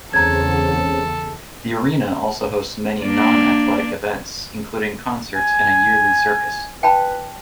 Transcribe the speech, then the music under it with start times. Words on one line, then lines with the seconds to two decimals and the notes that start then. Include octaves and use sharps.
The arena also hosts many non-athletic events including concerts and a yearly circus.
0.13 E2 C#3 G#3 C4 C#4 A4 A#5 G#6
3.03 A#3 D4
5.35 G#5
6.83 B4 G5 A5 B5